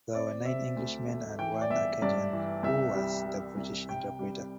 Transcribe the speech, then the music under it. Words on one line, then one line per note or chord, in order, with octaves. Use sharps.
There were nine English men and one Acadian who was the British interpreter.
C4 D5
C4 E5
D2
A3
E3 G5
D5
G1 E5
G2 D5
E3
C2 E5
G3
G3
C2
C3 G5
G3